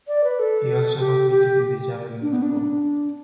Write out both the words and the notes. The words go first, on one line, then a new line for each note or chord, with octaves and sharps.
He also competed in the javelin throw.
D5
B4
A4
G4
G4
D4
B3
D4
D4